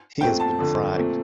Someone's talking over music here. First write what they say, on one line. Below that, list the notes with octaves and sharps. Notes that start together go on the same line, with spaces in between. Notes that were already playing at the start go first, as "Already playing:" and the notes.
He has been "fragged".
A#2 A3 C4 G5
A5
F2 D3 A3
A#2 A3 C4